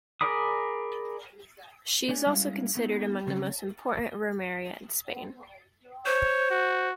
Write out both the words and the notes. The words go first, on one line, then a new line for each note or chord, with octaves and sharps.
She is also considered among the most important romeria in Spain.
G#4 A#4 D5 B5 D#6
A3 D4 C#5 G#5
G3 G#3 C#4 E4 F5
A3 B3 D#4
C#3 F#3 C4 C#4
C5 C#5
F#4